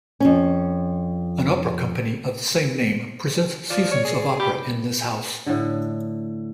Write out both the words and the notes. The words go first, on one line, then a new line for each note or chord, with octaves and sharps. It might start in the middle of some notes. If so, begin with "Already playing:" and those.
An opera company of the same name presents seasons of opera in this house.
F2 C#4
F3 D5
C#5
G#4
G4 B5
A2 D3